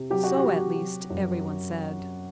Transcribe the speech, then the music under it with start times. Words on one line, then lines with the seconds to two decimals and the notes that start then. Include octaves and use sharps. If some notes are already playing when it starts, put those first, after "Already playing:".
So, at least, every one said.
Already playing: C3
0.10 F#3 G4
0.24 F#4
0.38 G4
0.44 F#3
0.76 F#3
1.10 F#2